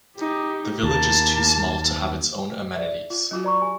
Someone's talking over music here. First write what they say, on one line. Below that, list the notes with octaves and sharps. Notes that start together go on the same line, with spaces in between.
The village is too small to have its own amenities.
D#4 G4
D#2 A#3 A5
G#4 D5 E5
F4
F#3 C#4 F4 F#4
D5 A#5 C#6
G4 G#5